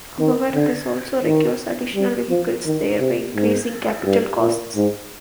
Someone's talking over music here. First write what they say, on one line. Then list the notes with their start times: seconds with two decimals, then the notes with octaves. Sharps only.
However, this also requires additional vehicles, thereby increasing capital costs.
0.19 D#3
0.54 D3
1.24 D#3
1.95 G3
2.30 F3
2.65 D#3
2.99 C3
3.35 G#2
4.05 G2
4.40 A#2
4.76 G#2